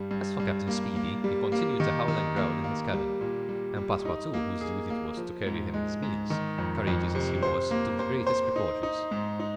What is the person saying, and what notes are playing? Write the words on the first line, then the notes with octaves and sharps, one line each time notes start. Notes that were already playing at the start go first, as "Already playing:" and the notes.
As for Captain Speedy, he continued to howl and growl in his cabin; and Passepartout, whose duty it was to carry him his meals, courageous as he was, took the greatest precautions.
Already playing: G2 G3
G2
G2
A#3
A#3
G3
A#3
D#3
D#3
A#3
A#3
G3
A#2
G3
G3
D#4
A#3
G#4
A#3
F3
G#2
G#3
G#2
D#3
F2
F2
C3
C5
A#3
C5
C5
D#4
D#4
G#2
D#4